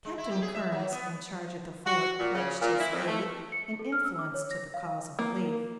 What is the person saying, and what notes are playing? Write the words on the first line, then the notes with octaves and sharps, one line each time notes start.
Captain Kerns in charge at the Fort, pledged his aid, and influence to the cause of relief.
G#3
E4
G4
G#4
E5
F#3
B3
F#4
A#2
C#3
A#2
E4
F2
A3
C#7
A4
F6
E6
D6
C#5
A#6
F5
A#3